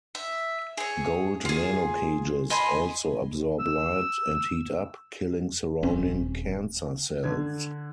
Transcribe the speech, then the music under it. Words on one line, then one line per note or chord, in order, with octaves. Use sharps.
Gold nanocages also absorb light and heat up, killing surrounding cancer cells.
E5
G#4 C#5
F4 G#4
D#5 G#5 B5 C6
E6
D#1 C4 C#4
D3 G#6